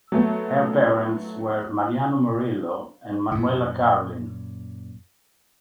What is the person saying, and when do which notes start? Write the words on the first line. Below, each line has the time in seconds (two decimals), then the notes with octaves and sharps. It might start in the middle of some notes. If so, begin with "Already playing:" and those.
Her parents were Mariano Murillo and Manuela Carlin.
0.12 F#3 A3 B3
3.31 F#2 A#2